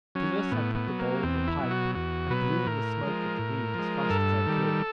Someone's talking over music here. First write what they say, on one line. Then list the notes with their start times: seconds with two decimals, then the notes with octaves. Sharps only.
To this I put the bowl of a pipe, and blew in the smoke of the weed as fast as I could.
0.15 F#3 C#4
0.51 A2 B3
0.75 B3
0.88 F#3
0.99 A#3
1.23 E2 C4
1.47 E4
1.59 B2 F#3
1.71 F#4
1.95 E2 F#4
2.31 B2 F#3 B4
2.66 A2 A#4
3.03 F3 G#3
3.39 A2
3.74 F3 G#3
4.10 G2 A4
4.46 D#3 G3